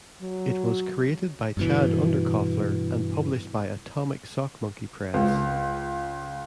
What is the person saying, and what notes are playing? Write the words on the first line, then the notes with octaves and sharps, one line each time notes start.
It was created by Chad Underkoffler and published by Atomic Sock Monkey Press.
F#3
G2 B2 E3
C#2